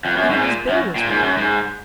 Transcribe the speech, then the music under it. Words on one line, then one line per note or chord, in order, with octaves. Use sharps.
Even his bill was red.
F2
F#2
G#2
A#2
F#2
A#2
G#2
F#2
G#2